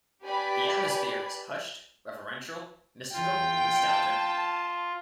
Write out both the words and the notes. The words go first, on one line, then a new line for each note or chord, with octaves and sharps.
The atmosphere is hushed, reverential, mystical, nostalgic.
G4 B4 D5 G#5 B5
E2 F4 G5
A5